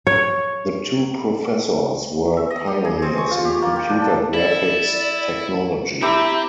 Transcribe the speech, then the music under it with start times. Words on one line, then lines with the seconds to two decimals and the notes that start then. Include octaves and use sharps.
The two professors were pioneers in computer graphics technology.
0.07 C#5
2.37 E5
2.50 D#5
2.67 G4
2.85 G#4
3.02 C4
3.18 C#6
3.31 F4
3.45 G4
3.62 A#3
3.76 G5
3.89 D4
4.02 A5
4.34 E4 D5
6.02 C4 E4 G4 E5 A#5